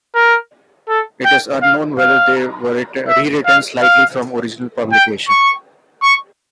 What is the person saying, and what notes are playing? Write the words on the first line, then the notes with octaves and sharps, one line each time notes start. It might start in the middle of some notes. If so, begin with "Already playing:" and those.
It is unknown whether they were rewritten slightly from original publication.
A#4
A4
G5
F5
F5
E5
F5
F5
G5
C#6
C#6